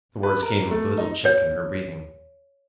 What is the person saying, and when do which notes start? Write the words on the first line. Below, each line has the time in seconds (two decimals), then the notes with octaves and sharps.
The words came with a little check in her breathing.
0.23 B4
0.43 A#4
0.71 A3
0.98 D#4
1.25 C#5